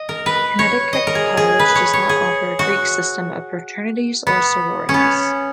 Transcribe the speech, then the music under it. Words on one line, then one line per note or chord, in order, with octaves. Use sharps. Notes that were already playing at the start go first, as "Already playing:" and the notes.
Connecticut College does not offer a Greek system of fraternities or sororities.
Already playing: D#5
A#4
B4
C#5
D#5
A#4
G#4
G#4
B4
C#5
C#5
G#4
F#4
B3
C#4
B3